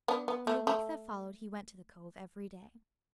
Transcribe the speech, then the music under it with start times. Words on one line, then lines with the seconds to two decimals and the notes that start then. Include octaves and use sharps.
In the week that followed he went to the Cove every day.
0.08 B3 D4
0.28 B3
0.47 A3
0.67 A3